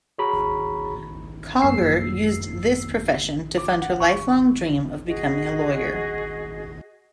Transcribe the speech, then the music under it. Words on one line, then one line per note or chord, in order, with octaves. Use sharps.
Kauger used this profession to fund her lifelong dream of becoming a lawyer.
F#4 G#4 C#5 A#5 B5 C#6
F#2 A#3 E6 C7
D6
F#5
C#6
F#4 G#4 D#5